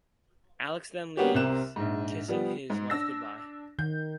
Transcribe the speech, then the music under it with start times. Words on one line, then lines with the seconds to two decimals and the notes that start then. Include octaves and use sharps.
Alex then leaves, kissing his wife good-bye.
1.17 G3 A#3 B3 C#4 F#4 G4
1.34 C2 C3 C4 A#4 F#6 E7
1.76 A#1 G#2
2.28 F3 G3 B3
2.70 G#2
2.90 D4 E6 A#6
3.79 D#3 G6